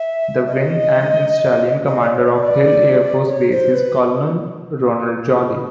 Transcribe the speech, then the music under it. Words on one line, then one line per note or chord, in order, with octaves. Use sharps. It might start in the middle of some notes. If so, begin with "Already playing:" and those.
The Wing and Installation Commander of Hill Air Force Base is Colonel Ronald Jolly.
Already playing: E5
D#5
D#5
D5
C#5
D5
C#5
C5
B4